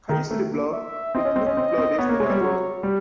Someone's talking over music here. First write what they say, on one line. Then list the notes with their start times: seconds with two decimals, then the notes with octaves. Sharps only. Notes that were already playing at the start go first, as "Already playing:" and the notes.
Can you see the blur? It looked blurred yesterday, as well.
0.09 D#3
0.31 A3
0.52 A#3
0.73 E5
1.15 C4 D#5
1.25 C#4
1.36 C4
1.46 C#4
1.57 C4
1.78 C4
1.99 B3 C#5
2.09 A#3
2.20 G#3
2.30 G3
2.41 F#3
2.83 G3